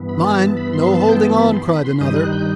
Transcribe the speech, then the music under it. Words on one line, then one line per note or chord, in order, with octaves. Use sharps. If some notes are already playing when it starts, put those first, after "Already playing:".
"Mind, no holding on!" cried another.
Already playing: G2 E3 B3
B5
A5
A5
B5
C6
A5
G5
A5
B5
C6
B5
C6
G2 D#3 G3 D#4 D#6
F#6
G6